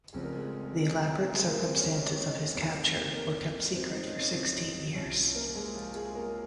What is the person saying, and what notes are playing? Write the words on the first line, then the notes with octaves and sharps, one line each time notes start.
The elaborate circumstances of his capture were kept secret for sixteen years.
F1 F2 C#3 F3 G#4
A#4
G#3 G#4
G#3 G#4
A#3 A#4
C4 C5
C#4 C#5
C#5
D#5
C#4 C#5
F1 F2 D#3
A#3 A#4
C4 C5
D#4 D#5
C#4 C#5
C#4 C#5
C4 C5
C2 C3 F3 C#4 C#5
C#4 C#5
A#3 A#4
G#3 G#4
F3 F4
G#3 G#4
A#3 A#4